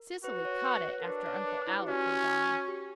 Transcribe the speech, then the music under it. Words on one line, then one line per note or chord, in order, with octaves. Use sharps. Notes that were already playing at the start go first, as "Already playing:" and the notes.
Cecily "caught it" after Uncle Alec had gone.
Already playing: A#4
F#4 B4
C#5
B4
C#5
A#4
D4 B4
C#5
B4
E4
G4
C#4 F#4
G4